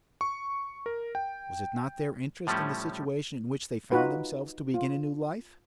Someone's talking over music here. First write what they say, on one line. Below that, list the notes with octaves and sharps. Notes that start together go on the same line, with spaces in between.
Was it not their interest in the situation in which they found themselves to begin a new life?
C#6
A#4
G5
A2 F3 G3 A3 C#4
D#4 F4 F#4 B4
F4